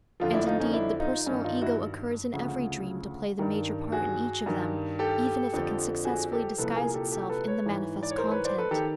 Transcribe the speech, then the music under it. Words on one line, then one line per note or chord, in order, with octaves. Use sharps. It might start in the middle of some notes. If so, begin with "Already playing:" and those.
And indeed, the personal ego occurs in every dream to play the major part in each of them, even if it can successfully disguise itself in the manifest content.
F2 D3 F3 F4
D4 E4
D#4 F4
C#4 D#4
D4 E4
D#4 F4
G2 D#3 C#4 D#4
D#4 F4
E4 F#4
D2 C#3 F3
G2 D#3
F#4 G#4
G2 D#3
G4 A4
F2 D3 F3
F#4 G#4
G4 A4
C2 A#2 F3 A4 B4
G#4 A#4
G4 A4
G4 A4
A4 B4
B4 C#5
G#2 E3
D5
C#5
A#4 C5
B4 C#5
C5 D5
A4 B4
D#3 G4 A4